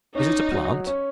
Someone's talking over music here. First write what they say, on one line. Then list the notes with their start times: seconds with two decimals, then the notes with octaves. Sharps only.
Is it a plant?
0.15 C#4 D#4
0.52 F#3
0.87 C#4